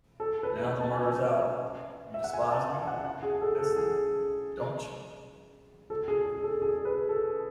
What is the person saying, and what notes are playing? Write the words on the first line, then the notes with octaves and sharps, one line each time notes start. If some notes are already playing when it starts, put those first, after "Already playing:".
Now the murder's out; you despise me, Esther, don't you?
A4
B4
B4
A5
G#5
E5
F#5
G#5
A5
F#5
F#5
G#4
A4
A4
G#4
A4
G#4
G#4
A4
G#4
B4
A4